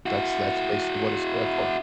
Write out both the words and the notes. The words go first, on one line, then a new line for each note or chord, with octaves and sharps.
That's that's basically what it's there for.
E4 F#4